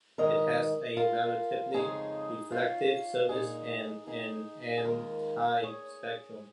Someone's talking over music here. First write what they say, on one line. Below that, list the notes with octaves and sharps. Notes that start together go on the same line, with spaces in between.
It has a relatively reflective surface and an M-type spectrum.
G#2 D#3 G#3 A#4 D#5
F4 A#4
F2 C#3 G#3 D#4 G#4
C#4 F4
A#2 G#3 D#4 G#4
D#4 G#4
G#4
D#2 D#3 G#3 F4 A#4
G#4 C#5